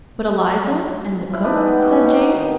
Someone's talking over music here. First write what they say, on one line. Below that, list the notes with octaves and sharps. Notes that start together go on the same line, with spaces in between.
'But Eliza, and the cook?' said Jane.
F3 E4
A3 D4 D#4 B4
G#3 B3
B2 G4
F5 F#5 A#5
D#3